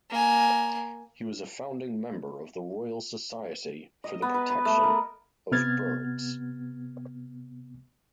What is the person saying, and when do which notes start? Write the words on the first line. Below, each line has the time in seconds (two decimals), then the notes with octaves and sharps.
He was a founding member of the Royal Society for the Protection of Birds.
0.10 A#3 G#5
4.04 D#5
4.22 B3
4.34 B4
4.50 B4
4.65 A3
4.84 A#4
5.52 C3 B3 F6 G#6 A6